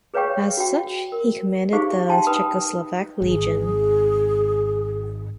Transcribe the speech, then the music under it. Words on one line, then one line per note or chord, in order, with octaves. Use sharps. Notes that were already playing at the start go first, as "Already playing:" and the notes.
As such, he commanded the Czechoslovak Legion.
G#4 B4 C#5 F5 G5 C#6
F#4 G5
A#4
D#4 G4 G#4 C5 F5 C#6
G5 A5 C6
D#4 B4 B5 D#6
G#1 G#4